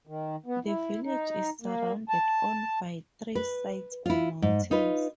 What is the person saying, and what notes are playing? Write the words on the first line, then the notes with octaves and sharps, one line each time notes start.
The village is surrounded on by three sides by mountains.
D#3
B3
E4
D#4
A#3
A5
B4
E4 F4
G#2
D#4 F4 B4